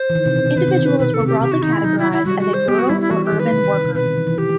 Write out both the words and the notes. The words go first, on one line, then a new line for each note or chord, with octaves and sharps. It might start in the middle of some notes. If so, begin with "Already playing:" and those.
Individuals were broadly categorised as a "rural" or "urban" worker.
Already playing: C5
E3
D#3
C3
B2
C3
D#3 B4
C3 C5
D#3
B4
B2 B4
A4
C3
G4
C3 G4
F#4
D#3 D#4
E4
F#3 D#4
E4
E4
G3 F#4
F#4
C5
B3 G4
F#4
G3 E4
E4
E3 F#4
G4
D#3
B4
C3
D#3
D#3
C3
B2 B4
D#3
E3
E3
D#3 G4